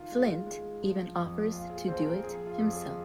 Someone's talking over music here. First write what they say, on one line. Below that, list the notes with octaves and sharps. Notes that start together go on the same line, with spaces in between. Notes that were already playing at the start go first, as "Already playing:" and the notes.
Flint even offers to do it himself.
Already playing: D#3 F4
G#3
G#3
F3
F2
A#1 F4
G#4
A#1 C4 C5
A#3 A#4
F3 G#4
F4
F2
G#4